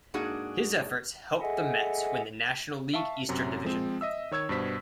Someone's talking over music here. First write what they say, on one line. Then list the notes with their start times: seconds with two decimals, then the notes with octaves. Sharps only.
His efforts helped the Mets win the National League Eastern Division.
0.14 G#2 A#3 D4 F#4 G#4 F#5
1.41 G#4 A4 D#5 E5 F#5 G#5
2.94 E5 F5 A5 C#6
3.29 F#2 C3 F#3
3.64 F3 G#3 C4
4.01 D#5 E5 E6
4.31 D#3 C#5 E6 G#6
4.49 G2 B2 C5 B6